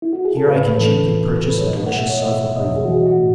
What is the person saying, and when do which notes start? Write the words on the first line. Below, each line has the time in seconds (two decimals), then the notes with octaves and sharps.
Here I can cheaply purchase a delicious self-approval.
0.02 E4
0.13 F#4
0.25 G#4
0.37 A4
0.47 A2 B4
0.77 E3 A4
1.08 E3
1.37 E3 A4
1.50 B4
1.58 C#5
1.66 B2 D#5
1.86 F#5
1.96 B2 E5
2.09 C#5
2.18 D#5
2.26 B2 E5
2.56 B2 D#5
2.76 G#4
2.85 E3 F#4
3.06 F#4
3.16 A2